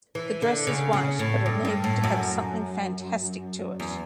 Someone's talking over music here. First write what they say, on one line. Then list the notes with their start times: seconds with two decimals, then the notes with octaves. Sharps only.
The dress is white but it needed to have something fantastic to it.
0.15 E3
0.42 D3
0.67 C#3
0.93 C#3
1.19 A2
1.46 G2
1.65 G2
1.84 A2
2.04 F#2
3.80 E2